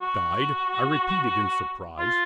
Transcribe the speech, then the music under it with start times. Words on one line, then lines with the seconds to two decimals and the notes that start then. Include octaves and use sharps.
"Died?" I repeated, in surprise.
0.02 F#4
1.98 F4